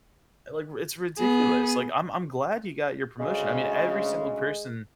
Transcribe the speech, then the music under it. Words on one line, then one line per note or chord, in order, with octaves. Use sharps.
like r It's ridiculous, like, "I'm I'm glad you got your promotion." I mean, every single person
B3 G#4
D2 C#3 G#3